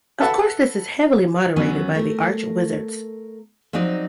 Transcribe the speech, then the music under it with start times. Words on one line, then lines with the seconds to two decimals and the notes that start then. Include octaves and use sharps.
Of course this is heavily moderated by the Arch Wizards.
0.21 A4 B4 E5 F#5 A5
1.56 D#2 E3 F#3 B3 C#4
1.95 A3 A#4
3.73 F3 F#3 C4 D#4 D5